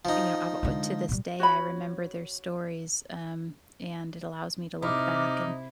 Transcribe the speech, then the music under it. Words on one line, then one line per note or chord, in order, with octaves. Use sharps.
you know, I've al to this day, I remember their stories, um, and it allows me to look back and,
F3 D#4
D3 G#3
A#2 G3
F#4 C#5 G5 B5
C3 D#4 E4 D6 F6